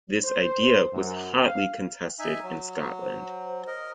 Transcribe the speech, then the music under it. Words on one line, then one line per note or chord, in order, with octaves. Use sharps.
This idea was hotly contested in Scotland.
C5
F#2
F5
D#4 E5 G#5
F#3
C5
A#4 D#5